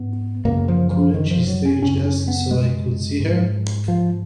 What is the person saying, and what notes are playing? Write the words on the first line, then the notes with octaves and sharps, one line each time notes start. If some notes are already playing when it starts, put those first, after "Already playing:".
Couldn't she stay, just so I could see her?
Already playing: G#2 B3
F#2 C#3 A#3
F3
F3
D#3
F3
F#3
C#4
F#2 C#3 C#4
C#4
B3
G#3
G#2
F3